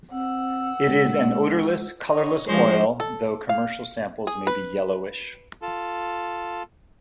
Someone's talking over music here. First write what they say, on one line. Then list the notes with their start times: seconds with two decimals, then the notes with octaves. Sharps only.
It is an odorless, colorless oil, though commercial samples may be yellowish.
0.12 C4 F#5 E6
0.85 G#3
2.08 C#5 D#5
2.47 F3 G#3 D4 F4 C5 C#5
3.00 A4
3.49 F5
4.27 G#4
4.47 B4
5.62 F4 A4